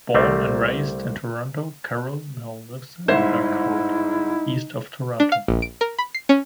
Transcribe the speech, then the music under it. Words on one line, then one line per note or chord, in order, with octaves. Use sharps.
Born and raised in Toronto, Carol now lives in Warkworth, east of Toronto.
C2 G3 A3 C4
G1 G#2 D#4 E4 C5 E5 G#6
D4
F5
A#1
D7
A#4
B5
C7
C#4